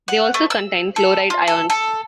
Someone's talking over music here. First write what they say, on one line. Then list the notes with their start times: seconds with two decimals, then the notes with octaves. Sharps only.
They also contain chloride ions.
0.08 F#5
0.34 A3
0.50 E6
0.96 A4
1.30 F4
1.48 A4
1.70 A4